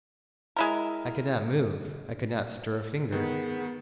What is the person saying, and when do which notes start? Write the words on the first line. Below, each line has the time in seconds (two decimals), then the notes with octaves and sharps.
I could not move; I could not stir a finger.
0.56 G#3 E4 A#4
3.12 D#3 B3 G#4